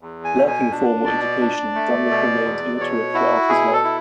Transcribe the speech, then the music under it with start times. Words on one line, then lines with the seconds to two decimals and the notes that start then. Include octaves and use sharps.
Lacking formal education, Dunlap remained illiterate throughout his life.
0.01 E2
0.24 G#5
0.36 B2
0.48 G#5
0.71 D4
1.05 B2 D5
1.41 D4
1.75 A3
2.10 B2
2.45 E2
2.80 B2 C#5
3.14 E4 F#4
3.49 B2 G#4
3.73 A4
3.84 E4